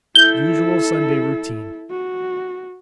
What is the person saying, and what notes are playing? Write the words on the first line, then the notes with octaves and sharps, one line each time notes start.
Usual Sunday routine.
E4 A4 G6
F#4